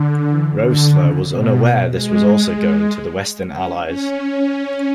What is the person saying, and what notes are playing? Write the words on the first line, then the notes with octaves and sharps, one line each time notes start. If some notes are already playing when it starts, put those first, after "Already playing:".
Roessler was unaware this was also going to the Western Allies.
Already playing: D3
E3
D3
C#3
B2
G#3
G#3
C#4
C#4